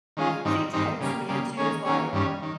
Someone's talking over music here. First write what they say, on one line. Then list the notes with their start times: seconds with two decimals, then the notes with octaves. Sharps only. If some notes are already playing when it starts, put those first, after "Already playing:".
she texts me, and she was like,
0.17 D#3 G#3 C#4 F4 G#4
0.45 G#2 D#3 G3 C4 D#4
0.73 G#2 D#3 G3 C4 D#4
1.01 C#3 G3 A#3
1.29 C#3 G3 A#3
1.57 D#3 A#3 C#4 G#4 C#5
1.85 D#3 A#3 C#4 G#4 C#5
2.13 G2 D#3 G3 C#4
2.43 D#3